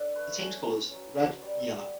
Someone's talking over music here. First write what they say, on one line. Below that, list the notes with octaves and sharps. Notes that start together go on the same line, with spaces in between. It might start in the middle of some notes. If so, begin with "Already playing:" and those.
The team's colours are red and yellow.
Already playing: D4 A4
A3 B4
C#4
C#4
F#3
F#3
G3 D5
E5
G3
F#5